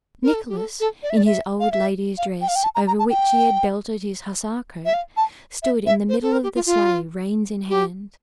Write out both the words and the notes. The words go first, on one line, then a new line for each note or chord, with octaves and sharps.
Nicholas, in his old lady's dress over which he had belted his hussar overcoat, stood in the middle of the sleigh, reins in hand.
A#4
A4
G4
A4
A4
D5
E5
D5
E5
F5
E5
F5
G5
F5
G5
A5
A#5
A#5
A5
G5
E5
F5
A5
E5
E5
C5
A4
A#4
G4
F4
F4
G4